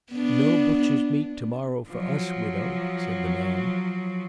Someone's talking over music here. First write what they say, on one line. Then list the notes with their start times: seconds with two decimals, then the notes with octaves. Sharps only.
"No butcher's meat to-morrow for us, widow," said the man.
0.12 B3 D4
1.89 F3 F#3